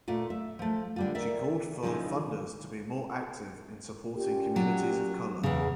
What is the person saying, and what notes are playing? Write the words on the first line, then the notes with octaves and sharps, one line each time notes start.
She called for funders to be more active in supporting communities of colour.
A#2 A3 F4
E5
F3 A3
D3 G3 F4
A#4 D5 E5
C#3 F3 G#3 D#4 E4 G#4
A#2 C#4 G4
F#3
E2 C#3